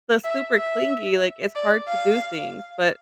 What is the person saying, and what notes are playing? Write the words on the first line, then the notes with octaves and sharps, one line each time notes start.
the super clingy, like, it's hard to do things, but,
E5
E5
D5
F5